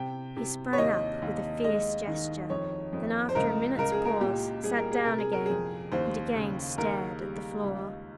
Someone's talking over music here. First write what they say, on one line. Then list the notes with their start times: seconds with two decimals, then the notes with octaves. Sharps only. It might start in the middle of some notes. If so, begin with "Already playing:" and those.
He sprang up with a fierce gesture, then after a minute's pause sat down again, and again stared at the floor.
Already playing: C3 G5
0.37 C3
0.73 C#5
0.78 D#2 D#5
1.22 D#2
1.64 G#3 D#5
2.07 D#3
2.50 F2 C#5
2.93 F2
3.29 C5
3.35 C#2 A#4
3.78 C#2 A#4
3.92 G#4
4.05 A#4
4.21 A#2 G4
4.64 G3 G#4
4.77 A#4
4.92 G#4
5.05 C3 A#4
5.18 G#4
5.33 A#4
5.46 F2 G#4
5.92 D#2 C5
6.36 C#3
6.78 D#2 A#4
7.21 G3
7.63 C#2